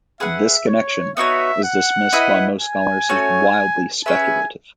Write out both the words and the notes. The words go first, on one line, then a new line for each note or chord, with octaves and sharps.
This connection is dismissed by most scholars as "wildly speculative".
G#4 B4 E5 F#5
C#5
B3 D#4 F#4 C#5 E5
F#5
E4 B4 D#5 G#5
G#5
A3 C#4 F#4 C#5
C#4 G#4 B4 E5 G#5